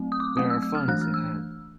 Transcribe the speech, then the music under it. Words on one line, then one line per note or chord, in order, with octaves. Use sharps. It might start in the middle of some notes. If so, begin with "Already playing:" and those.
There are funds in hand.
Already playing: F#3 A3 C4
D#6
D6
F#3 A3 C4 D#6
E6
E6
F6
E3 A3 D4 F#6
F6
E6